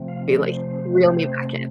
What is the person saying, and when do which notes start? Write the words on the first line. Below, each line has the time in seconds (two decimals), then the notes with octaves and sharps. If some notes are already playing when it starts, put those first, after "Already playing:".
be, like, reel me back in.
Already playing: C3 F3 A3 C4
0.08 F5
0.28 D5
0.47 C5
0.98 A4
1.05 C3 A3 C4 C5